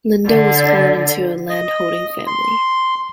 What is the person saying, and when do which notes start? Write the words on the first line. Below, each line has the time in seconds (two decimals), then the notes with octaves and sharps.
Lindo was born into a landholding family.
0.25 D3
1.49 D#5
2.27 C6